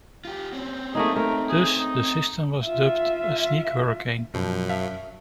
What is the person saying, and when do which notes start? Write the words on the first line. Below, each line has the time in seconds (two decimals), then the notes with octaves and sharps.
Thus, the system was dubbed "a sneak hurricane".
0.25 F4 G4
0.53 C4 C#4
0.95 A3 A#3 D#4 G#4
1.16 A3 A#4
1.49 G#4
1.78 D#4
2.65 F4 E5
4.34 F#2 B2 F3
4.69 E5 F5 A5